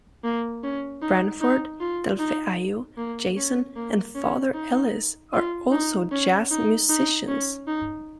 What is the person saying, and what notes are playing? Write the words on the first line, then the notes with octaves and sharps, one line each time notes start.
Branford, Delfeayo, Jason and father Ellis are also jazz musicians.
A#3
C#4
D#4
D#4
F4
D#4
A#3
C#4
A#3
C#4
D#4
F4
D#4
C#4
D#4
D#4
C#4
D#4